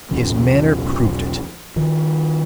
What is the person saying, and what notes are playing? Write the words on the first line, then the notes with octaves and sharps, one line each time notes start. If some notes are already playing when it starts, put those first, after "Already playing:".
His manner proved it.
B1 E2 C#3 F3
D#3 F3